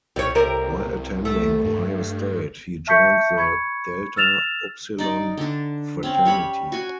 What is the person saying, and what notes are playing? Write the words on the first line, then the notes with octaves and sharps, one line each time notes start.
While attending Ohio State he joined the Delta Upsilon Fraternity.
C2 G3 C#5
C3 G3 A#4
A3
G2
E5 A5 C#6 G6 B6 C#7
B5 C#6 G#6 C#7
E6 F6 A6 E7 F7
D#4 D5
D3 D4
C4 C#4
G3 C#5 B5
F#4 G#5